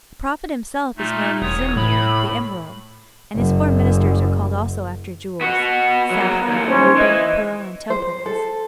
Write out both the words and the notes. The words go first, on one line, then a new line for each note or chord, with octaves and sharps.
The prophet himself is known as Zimrud--"the Emerald"--and his four ministers are called also after jewels--Sapphire, Ruby, Pearl, and Topaz.
A#2 A3 D#4
E1 C#5 D#6
A2 B5
F#1 F#2
B3 F#4
F#3 A#3
D#2 A2
C#4 C5 C#5
E3 D#5
C5
A4